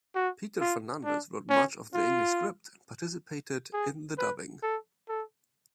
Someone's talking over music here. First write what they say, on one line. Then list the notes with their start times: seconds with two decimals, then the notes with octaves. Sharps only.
Peter Fernandez wrote much of the English script, and participated in the dubbing.
0.15 F#4
0.61 F4
1.05 D4
1.50 C#4
1.94 F4
3.73 G#4
4.18 B4
4.63 A4
5.09 A4